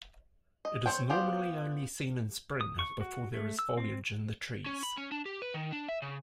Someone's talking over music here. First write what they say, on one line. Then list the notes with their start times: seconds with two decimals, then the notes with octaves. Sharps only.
It is normally only seen in spring before there is foliage in the trees.
0.65 D#5
0.86 C4 C5 C#5 G5
1.10 B3 F4 G4 C5
2.61 D#6
2.79 C#6
3.00 F#4
3.34 A3
3.59 E6
3.77 C4
4.66 C#4
4.83 B5
4.98 C#4
5.12 D4
5.26 G4
5.42 B4
5.54 D#3
5.72 D4
5.89 E5
6.02 C#3